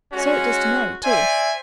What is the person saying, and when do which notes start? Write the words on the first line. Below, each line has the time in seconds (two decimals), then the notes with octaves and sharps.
So it does to Mary, too.
0.12 G#3 C#4 F#4
1.03 C5 D5 E5 G#5